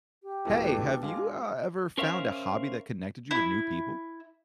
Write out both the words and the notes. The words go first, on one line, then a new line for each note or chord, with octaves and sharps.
Hey, have you, uh, ever found a hobby that connected you with new people?
G4
E1 B2 A3 E4
D4
G#3 F5
C#4 A#4 C5 C#5 E5 F5
E4